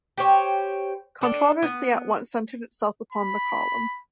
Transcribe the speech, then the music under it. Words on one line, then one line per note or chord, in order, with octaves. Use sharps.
Controversy at once centred itself upon the column.
G4 C5 C#5
D4 A4
B3
B5